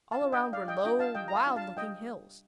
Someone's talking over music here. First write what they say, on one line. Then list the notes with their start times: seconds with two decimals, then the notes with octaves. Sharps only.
All around were low, wild-looking hills.
0.11 F5 A5
0.22 D4 F4
0.32 D#5 G5
0.53 G3 D5 F5
0.68 D#5 G5
0.84 D4 F4 D#5 G5
0.99 F5 A5
1.15 G3 D#5 G5
1.28 A#5
1.35 F5 A5
1.47 D4 F4
1.56 F5 A5
1.77 G3 D#5 G5